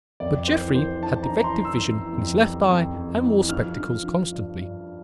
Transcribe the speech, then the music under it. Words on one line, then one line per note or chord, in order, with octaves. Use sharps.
But Jeffrey had defective vision in his left eye and wore spectacles constantly.
F2 D5
E3 C5
E3 C5
E3 A5
A#5
E3
A#5
C6
E3
E6
E3
F2
G3
F2
F2
E3
F3 F6
F3
F3
G2
G2